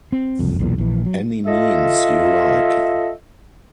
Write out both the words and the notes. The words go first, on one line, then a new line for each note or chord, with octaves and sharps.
Any means you like.
C4
F#1 C2 F2
B1 E2 A#2
A#1 E3
F#3
F4 A4 D#5 E5